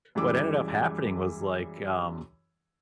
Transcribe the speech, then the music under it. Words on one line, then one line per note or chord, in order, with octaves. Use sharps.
what ended up happening was like, um,
F#2 E3 G3 G#3 D6 E6